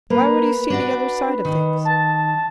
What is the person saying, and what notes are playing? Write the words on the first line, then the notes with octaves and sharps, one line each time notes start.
Why would he see the other side of things?
A#3 B4
D4 F#4 D5
D#3
A5